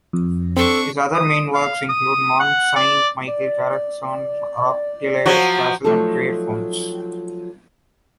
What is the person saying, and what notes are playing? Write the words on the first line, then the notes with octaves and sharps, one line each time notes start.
His other main works include Mont Saint-Michel, Carcassonne, Roquetaillade castle and Pierrefonds.
F2
C4 D4 A4 C#6
D#6
F5
D#6
F#5
D5
D5
F3 F#3 F#4
F3 F#3 A3 D#4 A4